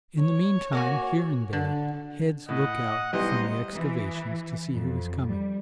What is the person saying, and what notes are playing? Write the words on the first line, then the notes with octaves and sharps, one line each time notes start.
In the meantime here and there heads look out from the excavations to see who is coming.
C#5
A#3 F#4 G#5
D3
A2 D#5 F#5
B1 G3 B3 E4 C5 D#5
E3
F2
G3